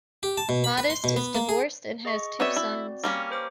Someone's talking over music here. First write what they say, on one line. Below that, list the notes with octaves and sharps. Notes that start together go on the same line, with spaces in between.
Modest is divorced and has two sons.
G4
A5
B2
B5
B4
C6
B2
B3
A#3
G#4
G#4 D#5 C#6
B3 C4 F#4 C#5 D5 E5
E4
G3 A#3 C#4
B4 C5 D6